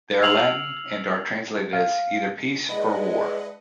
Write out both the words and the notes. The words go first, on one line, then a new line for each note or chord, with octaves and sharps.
They are Latin and are translated as, "Either Peace or War".
E6 F6 G#6 C7 F7 F#7
F5
G#3 D4 E4 B4 D#5 F#5